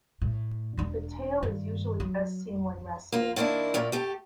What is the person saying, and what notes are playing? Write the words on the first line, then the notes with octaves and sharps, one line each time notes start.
The tail is usually best seen when resting.
A2
E1 D4
G2 D#3
F#3
A#3 F4
D#3 A#3 C4 D4 E4
A#2 A3 A#3
A3 G4 A4